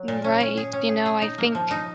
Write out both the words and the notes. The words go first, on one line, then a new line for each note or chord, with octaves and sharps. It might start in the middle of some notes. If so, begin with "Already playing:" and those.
Mm, right, you know, I think
Already playing: F#3
A#2
C#4
C#4
G#4
C#4
G#4
G#4
D#4
A#3
F3
D#4